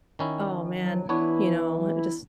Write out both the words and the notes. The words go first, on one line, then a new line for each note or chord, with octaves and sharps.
oh man, you know, just
D#3 C#4 E4
F#3
E3 B3 D4 E4 C#5
E4